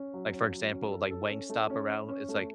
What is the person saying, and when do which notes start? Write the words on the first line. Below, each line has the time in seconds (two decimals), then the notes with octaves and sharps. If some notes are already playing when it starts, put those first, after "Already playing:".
like for example, like Wingstop, around w it's like
Already playing: C#4
0.14 F#3
0.32 C#4
0.52 F#3
0.72 C#4
0.91 A4
1.11 A4
1.30 C#4
1.50 A3
1.70 C#4
1.89 C#4
2.09 C#4
2.29 A3